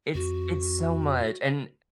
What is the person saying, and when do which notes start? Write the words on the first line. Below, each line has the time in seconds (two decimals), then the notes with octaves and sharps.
It's it's so much, and,
0.15 F2 F#4